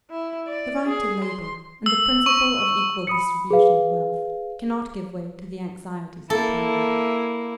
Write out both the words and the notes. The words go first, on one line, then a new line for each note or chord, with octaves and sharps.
The right to labor, and the principle of equal distribution of wealth, cannot give way to the anxieties of power.
E4
D5
G#4
C6
E6
C#6
B5 D#6 C#7
G#4 B4 F5
A#3 E4 A4